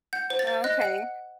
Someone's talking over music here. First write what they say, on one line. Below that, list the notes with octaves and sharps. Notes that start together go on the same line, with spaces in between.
Oh, okay.
F#5 G6
C5
A6
C5
D#5 F#6
F#5